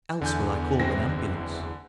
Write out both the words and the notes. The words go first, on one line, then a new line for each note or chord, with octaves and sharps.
"Else will I call an ambulance."
E2 D3 G#5 G6
F#1 C4 A#6